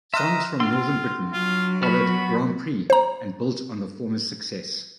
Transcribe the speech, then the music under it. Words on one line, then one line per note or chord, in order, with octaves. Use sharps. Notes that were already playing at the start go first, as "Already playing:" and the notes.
"Songs from Northern Britain" followed "Grand Prix" and built on the former's success.
D#5 E5 A#5 C6 F6 F#6
D4 F4 C6 F6
F#3 F4
B3 F#4 B5 F6
C5 A#5